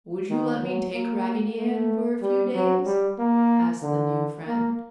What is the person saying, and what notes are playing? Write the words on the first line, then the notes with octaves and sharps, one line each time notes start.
"Would you let me take Raggedy Ann for a few days?" asked the new friend.
D#3
F#3
A#3
A3
G3
F#3
G3
A#3
D3
A#3